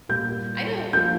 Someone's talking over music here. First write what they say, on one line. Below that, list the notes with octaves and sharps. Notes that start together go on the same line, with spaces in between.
I know
A#2 G3 A#3 G6
F3 A#3 F4 G6